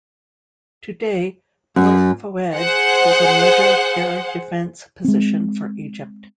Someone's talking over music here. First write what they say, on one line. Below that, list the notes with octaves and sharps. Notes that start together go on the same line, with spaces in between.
Today Port Fouad is a major Air Defence Position for Egypt.
F#2
G#4 C5 F#5
G#3 C4